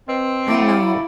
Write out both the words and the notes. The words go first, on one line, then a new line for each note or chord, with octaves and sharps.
I know.
C4 B4 D#5
F3 F#3 A3 E4 E5 D6 D7